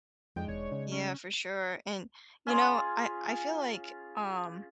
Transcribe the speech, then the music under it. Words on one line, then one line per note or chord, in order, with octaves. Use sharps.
Yeah, for sure, and, you know, I I feel like, um,
F2 G#3 D4 D#4 G5
E1 C#5
C#3
C#4
C#4 F4 G#4